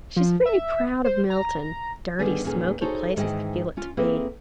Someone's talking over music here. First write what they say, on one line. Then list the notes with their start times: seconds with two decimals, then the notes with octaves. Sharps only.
She is very proud of Milton; dirty, smoky place, as I feel it to be.
0.16 F3
0.46 E5
1.04 C5
1.30 A#5
2.19 D3 D#3 F#3 G3 B3 G#4
2.44 E2 A#2 D#3 C#4 G#4
2.81 D#4 F#4 G#4 A4 C5 C#5
3.16 G#2 D#3 E3 G#4 D#5 G5
3.77 C#4 F4
3.97 A#3 C4 E4 G#4 A4 B4